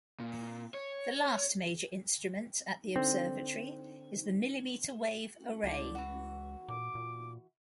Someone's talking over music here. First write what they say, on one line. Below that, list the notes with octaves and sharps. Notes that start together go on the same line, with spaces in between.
The last major instrument at the observatory is the millimeter-wave array.
A#2
C#5
D3 C4
C#2 D3 F3 D4
E3 F#4
A#2 D6
A#2